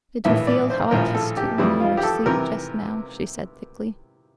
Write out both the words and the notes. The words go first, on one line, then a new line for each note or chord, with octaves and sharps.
"Did you feel how I kissed you when you were asleep just now?" she said thickly.
A#1 A2 E3 E5
D5
C5
A#1 A2 F3 A#4
A4
G4
F2 E3 G3 E4
F4
G4
A4
C3 E3 A#4